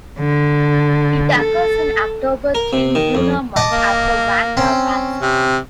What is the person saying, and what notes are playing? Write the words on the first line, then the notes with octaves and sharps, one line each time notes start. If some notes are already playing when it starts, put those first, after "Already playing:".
It occurs in October, three lunar months after "Wan Kao Pansa".
D3
A4
A#4
C3
D#3
F2
D#5 A5 D6
A#3
C4 C#4
C3